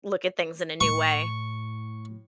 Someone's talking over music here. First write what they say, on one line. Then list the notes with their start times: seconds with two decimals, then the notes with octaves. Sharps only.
look at things in a new way."
0.81 A2 C#6